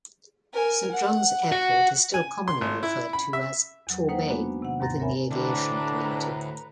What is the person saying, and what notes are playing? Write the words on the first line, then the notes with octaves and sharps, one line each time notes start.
Saint John's Airport is still commonly referred to as "Torbay" within the aviation community.
A#4 G#5
F#5
F#4
G#5
C6
G#1
E4
B5
E5
E2 F#3
A#3 D#4 B4 C5 F#5 G5
G#3 A#3 B3 D4 F#4
C3 D#3 F#5
D#2 G#2 A#5 A6 A#6
A#4 C#5 E5 G#5 B5
D2 A2 D4 B4 A#5